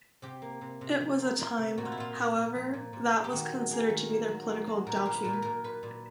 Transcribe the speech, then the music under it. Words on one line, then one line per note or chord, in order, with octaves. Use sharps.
It was a time however, that was considered to be their political dauphine.
C3 G4
A#3
C3
C3
F3
A#3
A#3
C3
A#2 F#4
F4
E4
A#2 F4
A#2
A#2
F3
A#2
A#2
A#3
G4
D#3 F#4
F#3
A#3 G#4
D#3
A#3
F#3
A#3
F#3
A#2 A#4
B4
A#3 A#4
B4
A#2 A#4
B4
A#2 A#4
A#2 B4
A#2